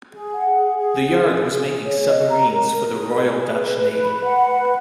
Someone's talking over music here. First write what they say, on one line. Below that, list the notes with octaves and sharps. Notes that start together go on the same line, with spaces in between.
The yard was making submarines for the Royal Dutch Navy.
G#4
F#5
G#4
G#4
G#4
G#4
G#4
G#4
C#5
D#5
A#5
A#4
A#4
G#4
G#4
B4
B4
B4
B5
F#5
B4